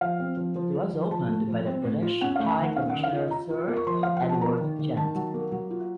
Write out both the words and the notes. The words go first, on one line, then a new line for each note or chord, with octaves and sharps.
It was opened by the British High Commissioner Sir Edward Gent.
F3 F5
C4
F3
F3
F3
F3
F3 A5
A2
F3
C4
A2
F4
C#4 F#5
F5
A3
A5
D#3
F#5
C#4 F5
F#5
D#3
F5
F4
D#5
F4 A#5
F4
A#3
C#6
F3 C6
F3 F5
F#5
F3
A5
A#3 A#5
D#3
D#3
D#3 A5
F#3
A#3
F#3
F4